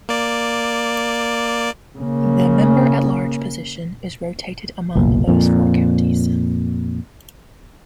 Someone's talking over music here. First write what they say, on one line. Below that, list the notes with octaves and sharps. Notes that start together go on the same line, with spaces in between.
The member-at-large position is rotated among those four counties.
A#3 D5
C#3 A#3
F#1 B1 A#2
F2 A#2